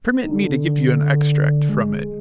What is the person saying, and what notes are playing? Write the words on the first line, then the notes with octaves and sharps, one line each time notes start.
Permit me to give you an extract from it.
D#3
D3
G#3